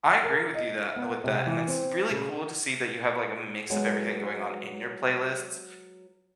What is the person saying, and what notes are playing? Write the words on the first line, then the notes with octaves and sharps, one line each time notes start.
I agree with you that with that, and it's really cool to see that you have like a mix of everything going on in your playlists,
A#4
D#5
B3
C3
E3
C4
C#3
F#3 G#3 B3